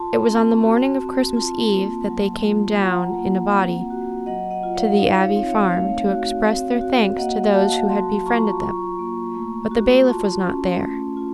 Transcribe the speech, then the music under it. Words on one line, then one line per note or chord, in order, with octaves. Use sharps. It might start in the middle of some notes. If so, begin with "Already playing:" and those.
It was on the morning of Christmas Eve that they came down in a body to the Abbey Farm to express their thanks to those who had befriended them; but the bailiff was not there.
Already playing: F4 A5 C6
C4
F#4
C4
F4 A5 C6
A#3
F#3
F4
F4 F#5 A#5
A#3
C4
F#4
F#3 D#5 F#5
D#5 F#5
F4
C#5 F5
D#4 C#5 F5
C#5 F5
C4
C#5 F5
A3 C#5 F5
F#4
C4
F#4
A#3 D#5 F#5
F#4 F5 A5
F#3 A5 C6
F4 A#5 C#6
F4 A#5 C#6
A#3
A3
F#4
F4 A5 C6
C#4
A3
F4